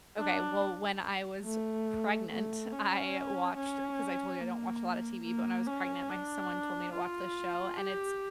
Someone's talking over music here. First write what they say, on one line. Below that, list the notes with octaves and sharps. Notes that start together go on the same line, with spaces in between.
Okay, well, when I was pregnant, I watched 'cause I told you, I don't watch a lot of TV, but when I was pregnant, my someone told me to watch this show, and it's
D4
A3
A3
C#4
C#4
A#3
A#3
C#4
D4
F4
G4